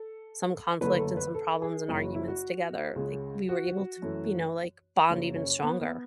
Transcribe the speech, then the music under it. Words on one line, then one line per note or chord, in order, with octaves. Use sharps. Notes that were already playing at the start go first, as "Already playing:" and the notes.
some conflict and some problems and arguments together, like, we were able to, you know, like, bond even stronger.
Already playing: A4
F#1 F#2 D3 A3 B4
A4
B4
A4
G#4
F#1 F#2 C#3 E4
F#4
E4
F#4
C#2 C#3 G#3
F#4
F#2 E3 A3
F#1 F#2 C#3 F#3
C#4
B3
B3